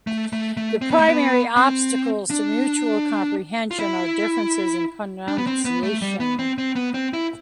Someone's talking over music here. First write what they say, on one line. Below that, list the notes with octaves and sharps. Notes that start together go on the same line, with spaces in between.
The primary obstacles to mutual comprehension are differences in pronunciation.
A3
A3
A3
C4
B3
A3
B3
C4
D4
F4
E4
D4
B3
C4
B3
A3
G3
B3
C4
C4
B3
C4
E4